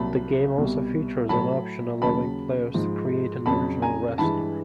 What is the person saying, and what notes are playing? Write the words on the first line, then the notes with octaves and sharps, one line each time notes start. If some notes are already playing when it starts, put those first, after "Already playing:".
The game also features an option allowing players to create an original wrestler.
Already playing: C2 A#2 F#3 A5 B5
C2 B2 G3
A2 F#3 A5 B5
D#2 C#3 F#3 A5 B5
G#2 F3 G#3
F2 C#3 F#3 A5 B5
G#5 A#5
G2 E3 G#3 A5 B5